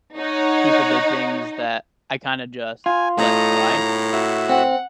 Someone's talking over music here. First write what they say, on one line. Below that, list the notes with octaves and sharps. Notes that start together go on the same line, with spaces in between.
people did things that I kinda just let slide.
D#4 C#5 F#5
F4 G#5
A2 A3 D#5 A#5
F#4 E5
C4 F#5